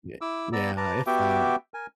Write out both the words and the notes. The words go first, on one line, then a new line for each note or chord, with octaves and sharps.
Ye yeah, if that.
E4 D6 E6
B3 D5 A#5 D6 E6
B4 A5 A#5 D6
B3 F#4 G4 E5 G5 D6
A#4 G#5